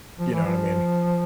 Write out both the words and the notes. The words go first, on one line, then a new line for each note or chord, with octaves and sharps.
You know what I mean?
F3
E3
F3